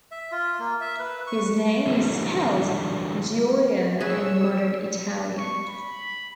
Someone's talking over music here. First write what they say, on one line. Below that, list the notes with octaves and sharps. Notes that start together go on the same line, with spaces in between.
His name is spelled Gioia in modern Italian.
E5
F4
A#3
E5
B4
C#6
D3 E3 F#3 G3
G#4 B4 C#5 E6
C#6
B5